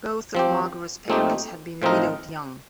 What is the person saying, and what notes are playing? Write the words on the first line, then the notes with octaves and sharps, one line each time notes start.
Both of Margaret's parents had been widowed young.
F3 C4 G4
A#2 A3 C4 D#4 G4
A2 F3 C4 D#4 A#4